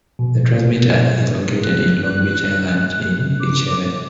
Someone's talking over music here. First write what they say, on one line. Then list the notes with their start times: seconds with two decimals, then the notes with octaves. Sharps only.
The transmitter is located in Long Beach Island in Beach Haven.
0.19 B2
1.64 F#6
3.40 D6